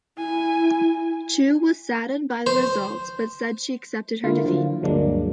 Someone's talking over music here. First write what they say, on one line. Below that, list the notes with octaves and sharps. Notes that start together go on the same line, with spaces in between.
Chew was "saddened by the results", but said she accepted her defeat.
E4 G#5
C5
D3 A#3 E4 F4
D3 F3 F#3
D2 G2 F#3 G#3 A#3 D4